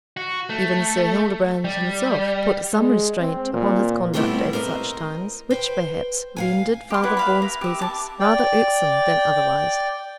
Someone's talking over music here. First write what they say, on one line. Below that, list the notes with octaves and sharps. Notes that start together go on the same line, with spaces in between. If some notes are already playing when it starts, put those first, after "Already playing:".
Even Sir Hildebrand himself put some restraint upon his conduct at such times, which, perhaps, rendered Father Vaughan's presence rather irksome than otherwise.
F#4
A3
G3
G#3
C4
A#2
G3 A3 B3 C4 E4
A#4 C5 D5 D#5
B4 C5 G5
F5 F#5 G#5
G4 C6
E4 B4 D5 F#5
E5 F5 B5
A#4
G4 E5
A5 D6
D5 G5